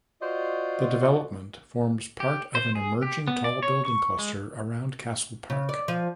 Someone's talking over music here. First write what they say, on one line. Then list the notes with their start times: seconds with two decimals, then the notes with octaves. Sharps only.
The development forms part of an emerging tall building cluster around Castle Park.
0.22 F4 F#4 C5 D5 D#5
2.20 G4
2.55 C5
2.75 G#4
3.02 G4
3.28 B3
3.44 D5
3.63 C#5
3.85 C#6
4.19 G#3
5.50 C#3
5.69 D5
5.88 F3